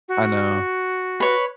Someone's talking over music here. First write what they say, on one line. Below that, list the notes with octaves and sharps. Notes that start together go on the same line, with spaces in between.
I know.
F#4
B4 C#5